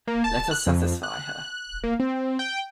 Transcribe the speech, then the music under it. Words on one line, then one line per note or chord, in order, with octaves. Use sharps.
Let us satisfy her.
A#3
A5
F#6
F2
F#6
A#3
C4
G5